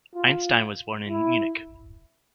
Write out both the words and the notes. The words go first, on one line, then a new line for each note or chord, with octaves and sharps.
Einstein was born in Munich.
F4
E4